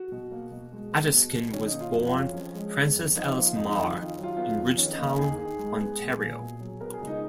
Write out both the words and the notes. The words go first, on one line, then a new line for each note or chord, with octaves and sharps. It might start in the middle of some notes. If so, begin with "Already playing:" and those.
Adaskin was born Frances Alice Marr in Ridgetown, Ontario.
Already playing: F#4
B2
A#3
B2
G#3
B3
B2
B2
D#3 C#4
D#4
A#3
F4
F2 F#4
F4
F2
C#4
F3
G#3
B3
F2
F3 D#4
A#3 F4
F2 D#4
D#4
F2
F4
D#3 F4
F#3
F4
B3 F4
F2
D#3 C#4
D#4
A#3
D#2 G#4
D#2
G#3
B3
A#2
A#2
B2
F#3
B3 A#4
G#4
C#2
D#4